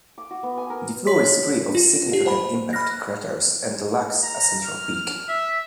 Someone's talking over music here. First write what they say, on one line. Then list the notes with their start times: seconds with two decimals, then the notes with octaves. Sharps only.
The floor is free of significant impact craters and lacks a central peak.
0.18 D6
0.31 F#4
0.43 B3
0.58 G#5
0.70 A#4
1.07 C#5 C6 B6
1.75 F4
2.13 G4
2.26 C5 B5
2.73 B5 F6 F#6 A#6
4.23 A#5
4.65 F6
4.95 F6
5.29 E5